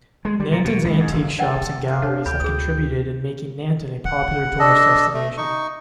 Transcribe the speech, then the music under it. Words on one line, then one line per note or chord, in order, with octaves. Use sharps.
Nanton's antique shops and galleries have contributed in making Nanton a popular tourist destination.
G#3
G3
A#2
B2
C#2
G#2
F#1
A4 D5 F#5 G5
F5
D4 A4 C#5
D2 G5 B5
G#4 D#6
F#5
D4 A4 D#5
A3
D#4 C#6